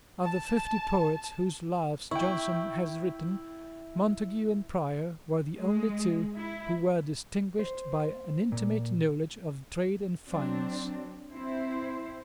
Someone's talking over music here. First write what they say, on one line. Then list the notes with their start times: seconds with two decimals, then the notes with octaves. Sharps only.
Of the fifty poets whose lives Johnson has written, Montague and Prior were the only two who were distinguished by an intimate knowledge of trade and finance.
0.25 A5
2.11 E4 G5 C#6
5.57 G#3
6.36 E4
7.59 C5
8.52 A#2
10.27 F#3 C4 D4
11.31 C4 E4 C5